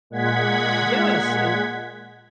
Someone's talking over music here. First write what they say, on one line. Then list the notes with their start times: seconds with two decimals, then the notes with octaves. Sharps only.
Yes, and
0.10 A#2 G#3 F#5 G#6 B6